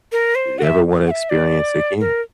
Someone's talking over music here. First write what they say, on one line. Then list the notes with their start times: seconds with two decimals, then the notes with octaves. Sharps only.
you never wanna experience again.
0.12 A#4
0.35 C5
0.58 F#5
0.63 E5
1.07 F#5
1.11 E5
1.30 D5
2.00 A#4